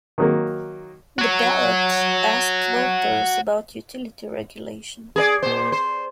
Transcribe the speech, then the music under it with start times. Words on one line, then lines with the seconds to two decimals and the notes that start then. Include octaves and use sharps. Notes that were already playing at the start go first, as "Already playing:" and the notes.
The ballot asked voters about utility regulation.
0.18 D#3 F#3 A#3
1.19 F#4 C#5
5.16 G#4 A#4 D5
5.43 A#2 C5
5.72 C5